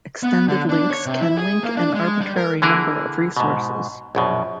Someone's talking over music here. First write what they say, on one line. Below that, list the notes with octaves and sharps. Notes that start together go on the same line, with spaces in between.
Extended links can link an arbitrary number of resources.
B3
D3
D4
C#5
C3
E4
G#4
A#3
D4
G#3
G3
A#4
D3 E3 A#3 E4 G#4 A#4
G#2 B2
A#1 F#2 B2